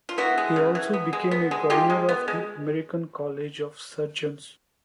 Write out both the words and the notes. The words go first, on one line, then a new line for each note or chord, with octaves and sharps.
He also became a governor of the American College of Surgeons.
F4
B3 E4 F#4
G#3
C#3
E3
B3
G#3
B3
G#3
G#3 F4 G4
G#3
B3
G#3